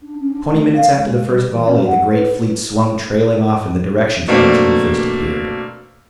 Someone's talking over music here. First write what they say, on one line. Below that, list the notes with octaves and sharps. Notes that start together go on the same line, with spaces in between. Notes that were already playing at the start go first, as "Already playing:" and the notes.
Twenty minutes after the first volley the great fleet swung trailing off in the direction from which it had first appeared.
D4
C#4
D4
A3
F5
G#3
G3
E3
C#4
F#5
B4
B2 A3 A#3 C4 D4